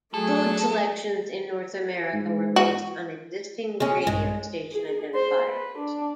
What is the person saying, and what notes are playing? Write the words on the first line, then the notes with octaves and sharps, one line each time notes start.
Code selections in North America were based on existing radio station identifiers.
F#3 A3 G#4 A4
G#2
F#4
G#3 C#4
A#1 G2 G#3
G#4
C5
B4
D4